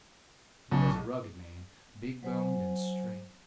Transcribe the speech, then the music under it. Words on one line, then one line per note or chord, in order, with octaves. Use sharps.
He was a rugged man, big-boned and straight.
B1 C#3
F#3 C5 G#5